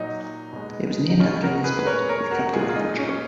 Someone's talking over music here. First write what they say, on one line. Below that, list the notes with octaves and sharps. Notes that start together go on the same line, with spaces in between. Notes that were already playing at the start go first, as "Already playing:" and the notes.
It was named after Lisbon, the capital of Portugal.
Already playing: A#2 F#3 D#4
B2 G#3
D#4
B2 G#3 C#4 F4
F#4 A#4
G#4 B4
B4
A#2 G#3 A#4 C#5
A#4 C#5
F#4 A#4
A#2 G#3 F4 G#4
F4
D#4
C#4